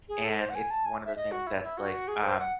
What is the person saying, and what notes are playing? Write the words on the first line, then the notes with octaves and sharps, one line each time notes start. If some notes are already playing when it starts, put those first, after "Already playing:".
And it's one of those things that's like, um
G#4
A4
C5
F#5
G#5
A5
G#5
E5
D#5
F#4
E4
E4
F#4
G#4
C5
F#5